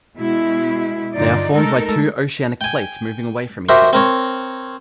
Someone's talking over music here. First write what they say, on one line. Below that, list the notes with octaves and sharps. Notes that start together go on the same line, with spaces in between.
They are formed by two oceanic plates moving away from each other.
B2 G#3 E4
G2 D3 D#4 F4 D5
G#3 A3 D#4 A4 A#4
G5 G#5
F#4 G4 A#4 C5 E5
C4 A#4 C#5